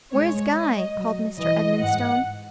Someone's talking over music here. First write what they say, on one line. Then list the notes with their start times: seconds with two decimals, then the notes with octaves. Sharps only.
Where's Guy?' called Mr. Edmonstone.
0.13 G#3 C#5
0.55 D#5
0.96 F#3
1.38 E3 D#5
1.80 G#2 F#5